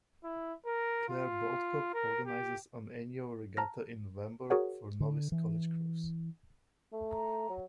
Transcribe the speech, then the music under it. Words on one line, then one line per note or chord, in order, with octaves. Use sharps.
Clare Boat Club organises an annual regatta in November for novice College crews.
E4
A#4
F4
A#4
G4
A5 A#5 F6 A#6
F#4 G#4 A#4 C#5 F#5
D3
E3
A3
A#5
F#3